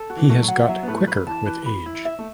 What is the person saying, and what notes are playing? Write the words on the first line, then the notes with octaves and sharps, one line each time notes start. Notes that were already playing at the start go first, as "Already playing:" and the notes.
He has got quicker with age.
Already playing: A4
F#4
E3
A3 F#4
F#3
F#5
F#3 E5
B3
A2 A3 B4
F#3 B4
E3 A5
E3 B4
B5
E4
E5
A3